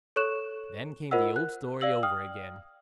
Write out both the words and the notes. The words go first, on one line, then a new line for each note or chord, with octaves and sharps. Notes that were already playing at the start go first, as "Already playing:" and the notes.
Then came the old story over again.
A4 C#5 C#6 F#6 E7
F4 A#4 C5 D#5 F#5 E6
F#6
D5 F5 E6 F#7
G5 D#6 F6